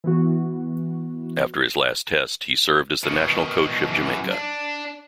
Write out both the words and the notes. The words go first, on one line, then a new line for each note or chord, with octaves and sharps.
After his last Test, he served as the national coach of Jamaica.
E3 B3 F#4
B2 D#3
F#2 E3
D4